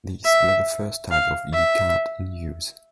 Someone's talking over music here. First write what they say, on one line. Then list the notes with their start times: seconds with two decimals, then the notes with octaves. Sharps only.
These were the first type of E-card in use.
0.25 E5
1.11 F5
1.53 E5